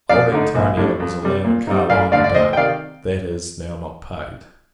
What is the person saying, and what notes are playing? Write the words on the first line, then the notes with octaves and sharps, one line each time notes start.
Old Antonio was allowed a carline a day; that is, now, not paid.
F2 D5 F5
D3 A3 D#4
A#1
A2 G3 D4
F2
C3 G3
A#2
G3 C4 D#4
A1 D5 F5
G2 D3 A3 D5 F5
D5
D2 C5 D#5
G5
C3 D#3 D5 F5